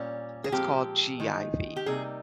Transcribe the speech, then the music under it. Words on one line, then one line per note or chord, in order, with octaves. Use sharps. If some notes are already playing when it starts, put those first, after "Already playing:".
that's called GIV.
Already playing: A#2 G3 C#4
G#4
A#2 F3 G#3 C4 G4
D#3 G#3 D#4
G4
C3 G3 A#3 D#4 G#4